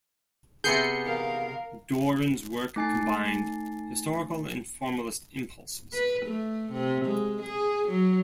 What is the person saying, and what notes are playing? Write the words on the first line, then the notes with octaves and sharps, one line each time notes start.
Doran's work combined historical and formalist impulses.
C3 B3 G#4 G6 C7 C#7
A#4 F5
A3 D#4 G#5 A6 C7
B4
A3
C3
G#3
G#4
F#3